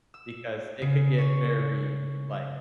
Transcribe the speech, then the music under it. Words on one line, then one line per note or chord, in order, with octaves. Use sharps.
because it could get very, like
E6
C#3
C#5